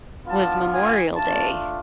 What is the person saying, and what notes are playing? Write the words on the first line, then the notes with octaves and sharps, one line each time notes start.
was Memorial Day
B3 D4 F4 A5
G#5
A3 D4 F4 A5